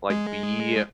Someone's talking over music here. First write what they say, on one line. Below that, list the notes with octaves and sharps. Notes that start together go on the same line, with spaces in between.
like be
G#3